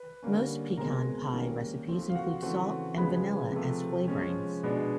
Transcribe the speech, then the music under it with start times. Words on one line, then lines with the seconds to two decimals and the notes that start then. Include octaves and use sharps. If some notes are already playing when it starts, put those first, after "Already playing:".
Most pecan pie recipes include salt and vanilla as flavorings.
Already playing: B4
0.23 D3 G3 A#3 C#4
0.77 B2 G#3 C4 A#4 A#5
1.33 D#3 G3 A#3 C#4
1.88 F3 A3 C4
2.09 F5
2.15 F#4 F#5
2.42 C#3 E3 A3 C4 F#4 F#5
2.98 C#3 F3 G#3 B4 B5
3.52 C3 F3 A3
4.08 F3 G#3 C#4
4.63 B2 G#3 B3 D4